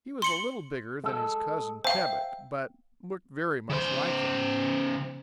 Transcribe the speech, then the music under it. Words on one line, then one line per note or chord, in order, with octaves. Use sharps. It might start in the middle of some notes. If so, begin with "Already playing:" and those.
He was a little bigger than his cousin, Chebec, but looked very much like him.
C6 C#7 F#7
G#3 A4
C5 E5 F5 G5
C#3 C5